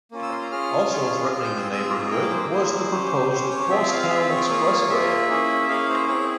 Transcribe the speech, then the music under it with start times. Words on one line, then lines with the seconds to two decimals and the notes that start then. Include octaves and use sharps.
Also threatening the neighborhood was the proposed Crosstown Expressway.
0.11 A#3 C#4 F4
0.22 E6
0.32 C6
0.41 A#5
0.51 C#4 F4 G#4 F6
0.91 C#4 F4 G#4
1.31 C4 F4 G#4 F6
1.44 G6
1.58 E6
1.72 C4 F4 G#4 E6
1.91 A#5
2.10 A#3 E4 G#4 G5
2.31 C5
2.50 A#3 E4 G#4 C5
2.90 C#4 G4
3.30 C#4 G4 C5
3.50 C#5
3.70 C4 F4 G#4 E5
3.90 F5
4.09 C4 F4 G#4 E5
4.30 C#5
4.49 A#3 F4 G#4
4.89 A#3 F4 G#4 E5
5.29 A#3 C#4 E4 G#4
5.69 A#3 C#4 E4 G#4 F5
5.89 C5
6.08 C4 E4 G#4 C#5